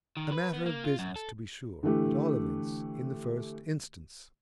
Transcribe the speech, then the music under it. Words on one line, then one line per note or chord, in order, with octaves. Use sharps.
A matter of business, to be sure--at all events in the first instance.
D#3
B4
B3
A#3
F4
F#2
A4
D3 E3 A3 G4